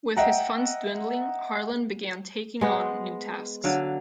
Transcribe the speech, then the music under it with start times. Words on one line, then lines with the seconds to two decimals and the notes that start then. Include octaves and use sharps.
With his funds dwindling, Harlan began taking on new tasks.
0.17 D#5 E5 F#5 G5 A#5
2.61 G#3 B3 C5
3.64 D3 F#3 F5